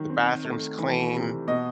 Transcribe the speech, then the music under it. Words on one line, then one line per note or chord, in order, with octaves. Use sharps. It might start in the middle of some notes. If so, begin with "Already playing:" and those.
the bathroom's clean,
Already playing: D#3 F#3
C4
A3
E3
C3
B2 D#5